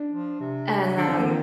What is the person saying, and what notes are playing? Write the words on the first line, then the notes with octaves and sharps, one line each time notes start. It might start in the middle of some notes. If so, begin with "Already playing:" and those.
And, um
Already playing: D4
F3
C3
D3 D4
C4
A#3
D#3